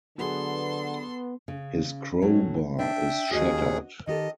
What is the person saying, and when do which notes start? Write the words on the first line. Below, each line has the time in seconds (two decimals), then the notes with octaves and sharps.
His crowbar is shattered.
0.18 D3 F#3 B3 G#4 A4 C6
1.48 C#3
2.22 A2 F#3 C#4
2.79 D4 E5 G5
3.31 D#2 F#4 G#4 D5 D#5
4.07 D#3 G4 A4 D#5